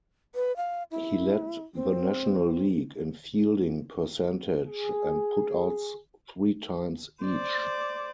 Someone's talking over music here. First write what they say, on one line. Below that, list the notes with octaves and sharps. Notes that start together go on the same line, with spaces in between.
He led the National League in fielding percentage and putouts three times each.
B4
F5
E4
C4
G#4
C5 D5